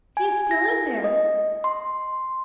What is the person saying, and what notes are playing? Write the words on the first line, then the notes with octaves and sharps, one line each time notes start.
'He is still in there!
G#5
A#6
D#5
C6